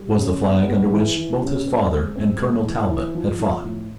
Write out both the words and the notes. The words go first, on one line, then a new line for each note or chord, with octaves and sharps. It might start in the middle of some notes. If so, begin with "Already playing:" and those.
It was the flag under which both his father and Colonel Talbot had fought.
Already playing: G3
C#3
B3
B3
E3
E3
C#3
C4
G#3
C4
G#3
E3
E3
F3
F3
A2